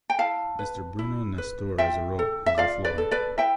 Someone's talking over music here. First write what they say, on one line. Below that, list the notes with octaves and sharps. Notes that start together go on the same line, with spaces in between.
Mr Bruno Nestor Azerot has the floor.
G5
E4 F5 A5
B4
E4
B4
F4 E5 G5
A4
E5
F4 D5 F5
B4 D5
A4
B4 D5
E4 E5 G5